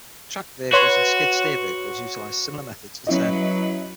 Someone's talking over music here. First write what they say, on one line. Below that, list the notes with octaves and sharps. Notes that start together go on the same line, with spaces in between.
Tracked vehicles and skid steer vehicles utilize similar methods for turning.
F#4 B4 C#5 C6
F#3 C#4 E4 B4 D#5